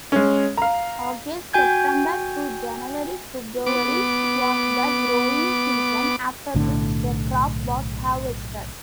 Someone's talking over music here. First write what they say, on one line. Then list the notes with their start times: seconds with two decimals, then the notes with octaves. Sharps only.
August-September to January-February was the growing season, after which the crop was harvested.
0.12 G#3 C#4
0.57 F5 A#5
1.53 F#4 G5 G#5 G6 G#6
3.66 B3 D6
6.54 B1 A2 D3